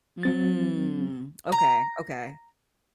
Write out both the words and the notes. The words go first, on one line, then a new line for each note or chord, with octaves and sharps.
Mm. Okay, okay,
F#3 C4 A6
A#5